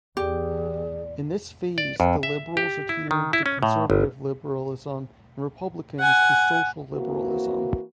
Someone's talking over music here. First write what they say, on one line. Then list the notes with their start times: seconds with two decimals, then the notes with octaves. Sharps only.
In this phase the Liberals adhered to conservative liberalism and Republicans to social liberalism.
0.17 E2 G4 G#4 D5
1.78 D5
2.00 F2
2.23 E5
2.57 G4
2.89 E4
3.11 D#3
3.33 E4
3.46 C#4
3.63 A2
3.90 G1
5.99 F#5 G#5
6.94 E3 A#3 C4 F#4